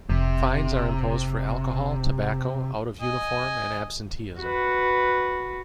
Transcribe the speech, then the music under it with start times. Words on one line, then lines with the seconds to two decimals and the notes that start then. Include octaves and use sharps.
Fines are imposed for alcohol, tobacco, out-of-uniform, and absenteeism.
0.10 F1 C3
3.02 D#5 G#5
4.40 F#4 B4